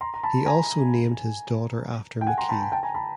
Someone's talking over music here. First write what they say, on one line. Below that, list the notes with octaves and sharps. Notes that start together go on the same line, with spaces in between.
He also named his daughter after McKee.
A#5 C6
A#5
A5 B5
G#5 A#5
G5
F#5 G#5
A#5 C6
A5 B5
G#5 A#5
G5 A5
G#5 A#5
A5 B5